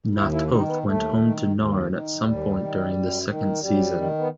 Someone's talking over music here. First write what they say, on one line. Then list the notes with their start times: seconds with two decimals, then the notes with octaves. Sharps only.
Na'Toth went home to Narn at some point during the second season.
0.15 D#2 E4
0.32 E4
0.49 D#3 D#4
0.66 B3
0.84 D#2 A3
1.18 D#3
1.53 D#2
1.88 D#3
2.21 D#2 G3
2.56 D#3
2.91 F#2
3.25 D#3
3.60 F#2 G3
3.94 D#3
4.18 B3